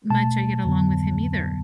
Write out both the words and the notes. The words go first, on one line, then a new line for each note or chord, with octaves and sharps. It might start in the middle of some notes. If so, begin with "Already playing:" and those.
much I get along with him either.
B2 A3 A5
F2 D3 F#3 B3